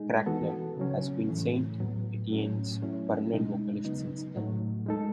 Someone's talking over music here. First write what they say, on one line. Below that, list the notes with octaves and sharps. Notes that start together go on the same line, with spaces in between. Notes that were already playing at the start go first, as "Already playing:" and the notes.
Cracknell has been Saint Etienne's permanent vocalist since then.
Already playing: G#3 D#4 G#4
E3 B3 F#4 A4
C#3 F#3 C#4
A2 E3 A3
A2 F#3 B3
A2 F#3 C#4
F#3 A3 C#4 E4
B2 G#3 D#4
C#3 F#3 B3 D#4
A2 F#3 A3
G#3 D#4 A4